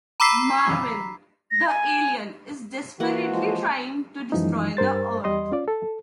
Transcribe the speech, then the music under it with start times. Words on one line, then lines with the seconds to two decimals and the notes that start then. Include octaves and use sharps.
Marvin, the alien, is desperately trying to destroy the Earth.
0.20 A#5 B5 D6 E6 B6 C7
1.51 A#6
1.67 G#5
3.00 E3 A#3 F#4 F#5 C6
3.30 F3 G#3
4.32 F#2 E3 F3 G#3 D#4
4.77 G2 A#4 C5 A6
5.24 E2 G3 D#5 C6
5.52 C#4 F4 D5
5.68 A4